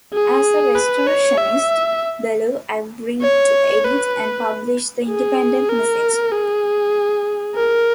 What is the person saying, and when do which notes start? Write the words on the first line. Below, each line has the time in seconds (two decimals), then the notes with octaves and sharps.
As a Restorationist, Ballou agreed to edit and publish the "Independent Messenger".
0.14 G#4
0.75 B4
1.07 C#5
1.38 E5
3.22 C#5
3.84 B4
5.08 G#4
5.69 A#4
6.32 G#4
7.55 A#4